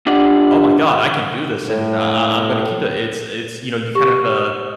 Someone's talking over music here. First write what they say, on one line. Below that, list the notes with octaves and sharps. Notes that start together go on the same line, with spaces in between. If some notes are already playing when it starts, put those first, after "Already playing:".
"Oh my God, I can do this and I I I'm gonna keep it." It's it's, you know, you kinda have a
D4 F4 G4 D5 D#5 F#5
A2
G4
D#6